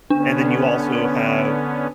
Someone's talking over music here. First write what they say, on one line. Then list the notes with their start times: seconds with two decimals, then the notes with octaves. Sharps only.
And then you also have
0.10 D3 B3 C#4 D4